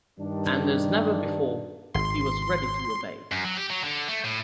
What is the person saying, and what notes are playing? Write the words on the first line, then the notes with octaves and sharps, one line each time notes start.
And as never before, he was ready to obey.
G2 D#3 D4
G#1 C6
F#2
F#3
G4
F#3
D3
A3
A2